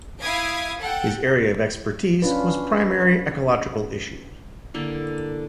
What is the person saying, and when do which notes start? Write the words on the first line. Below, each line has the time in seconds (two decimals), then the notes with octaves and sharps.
His area of expertise was primary ecological issues.
0.22 E4 F5 D#6 G#6 B6 D7
0.81 A4 F#5 G5
2.22 C#4 D4 F4 B4
4.74 D3 A#3 E4